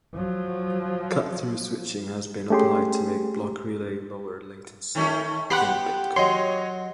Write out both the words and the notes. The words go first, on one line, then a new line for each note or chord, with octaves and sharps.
Cut-through switching has been applied to make block-relay lower latency in Bitcoin.
F3 F#3
A3 C#4 G4 G#4 C6
D#3 A3 C#4
B3 G4 F#5 B5 C6
F#3 C#5 D#5 C6